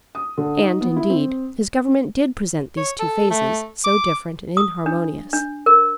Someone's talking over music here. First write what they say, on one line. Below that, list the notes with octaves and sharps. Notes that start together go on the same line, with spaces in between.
And, indeed, his government did present these two phases, so different and inharmonious.
D#6
D3
D#4
B3
E4
C4
C#5
A4
A3
D6
D#6
D4
D4
A#4